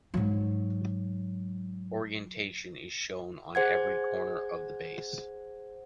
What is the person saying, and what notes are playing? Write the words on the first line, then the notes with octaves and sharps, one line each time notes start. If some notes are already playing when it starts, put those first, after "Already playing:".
Orientation is shown on every corner of the base.
G#2 F#3
G#4 C5 F#5 G#6